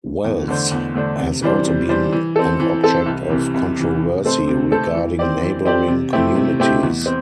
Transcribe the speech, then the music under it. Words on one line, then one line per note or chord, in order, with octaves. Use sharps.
Wells has also been an object of controversy regarding neighbouring communities.
E2
D3 A3 D4 C5
E2
D3 A3 D4 C5
C3
E3 G3 D4 C5
C3
E3 G3 D4 C5
E3
C4 A4
E3
C4 A4
C2
C3 E3
C2
C3 E3
C3
A3 C4 A4 C5
C3
A3 C4 A4 C5
E3
C4 G4 D5
E3
C4 G4 D5
C3
A3 C4 E4 G4
C3
A3 C4 E4 G4
E2
C4